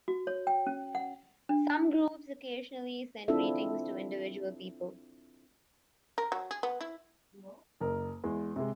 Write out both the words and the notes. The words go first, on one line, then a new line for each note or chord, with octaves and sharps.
Some groups occasionally send greetings to individual people.
F#4
C#5
G5
C#4
F#5
D4
C4 D4 E4 F4 A4 E5
A#4
F#3
G#4
B3
E4
F#1 A#4
E2 G#3
C3 G#3